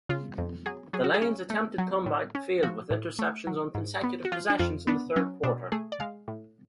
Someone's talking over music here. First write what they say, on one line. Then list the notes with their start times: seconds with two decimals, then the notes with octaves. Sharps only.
The Lions attempted comeback failed with interceptions on consecutive possessions in the third quarter.
0.09 C#3 F4
0.38 F2
0.66 F#3 G#4
0.93 F#3 G#4
1.04 F#4
1.14 G#4
1.22 C#4
1.50 A3
1.78 F#3
2.06 A2
2.35 C#4
2.63 F3 F#4
2.91 A2
3.19 A3
3.47 F#3
3.75 G#2
4.03 B3
4.25 F#4
4.32 F3 F4
4.50 D4
4.59 F2 F4
4.87 B3 D4
5.16 F#3 C#4
5.43 B2 D4
5.72 A3 G#4
5.92 D5
6.00 G#3 F5
6.28 A2